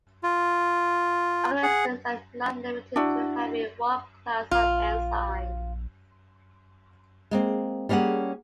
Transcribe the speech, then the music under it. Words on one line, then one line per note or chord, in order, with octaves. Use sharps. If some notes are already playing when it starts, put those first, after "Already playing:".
Organisms are not limited to having one class of enzymes.
F4
G#4 F#5
D4 E4 F#4
A#1 F4
G#3 A#3 C4
G3 A#3 C#4 G#4 F#5